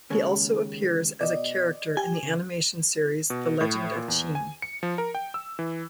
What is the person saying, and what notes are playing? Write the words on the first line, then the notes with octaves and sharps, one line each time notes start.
He also appears as a character in the animation series "The Legend of Qin".
D#2 C#3 G#3
B2 D5 D#5
G4 G#5
C#3
B2
A2
A#2
E2
G#5
C#7
F3
A#4
G5
E6
E3